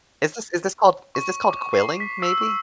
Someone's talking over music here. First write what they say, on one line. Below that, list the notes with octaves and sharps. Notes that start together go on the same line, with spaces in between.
Is this is this called is this called quilling maybe?
C#6
D6
C7
B6
E6
C#6